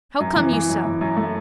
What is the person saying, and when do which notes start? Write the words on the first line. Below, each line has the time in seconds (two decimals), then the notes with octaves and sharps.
How come you so?
0.20 F#2
0.36 E3
0.53 E3
0.69 F#2
0.85 E3
1.01 F#2
1.17 A3